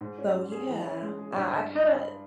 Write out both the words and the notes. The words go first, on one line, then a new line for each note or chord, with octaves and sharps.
So, yeah, I I kinda
G#2
C#4
G3
G#4
E3
C#4
G#3
G#4
G2